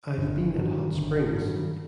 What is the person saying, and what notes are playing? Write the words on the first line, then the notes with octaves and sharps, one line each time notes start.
I've been at Hot Springs.
G1
G2 D#3 F#3
G1
G2 D#3 F#3